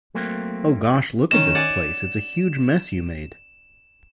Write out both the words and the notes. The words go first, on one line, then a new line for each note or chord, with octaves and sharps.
Oh gosh, look at this place, it's a huge mess you made.
F#3 A3 A#3 C4
D#3 C#4 D#5 E7
D5 F#5 G#5